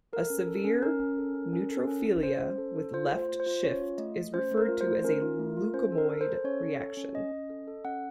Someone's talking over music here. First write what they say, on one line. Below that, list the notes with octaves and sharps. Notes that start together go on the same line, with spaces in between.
A severe neutrophilia with left shift is referred to as a leukemoid reaction.
A4 A#4
C#4
A4
C#4
C#4 A#4
C#4
A4
C#4
C#4
A4
C#4
C#4
C#4 C5
C#4
A4
A4
F4 C5
A3
C5
F4
C5
F4
C#4 C#5
F4
A3 D#5
A3
C#4 C5
A3
A#4
F4
C5
A3
C#4 A#4
F4
A3
F4
C#4 C5
A4
A#4
A4
C5
A4
C#4 C#5
A4
A4
C#4
C#4 D#5
C#4
A4
A4
C#4 F#5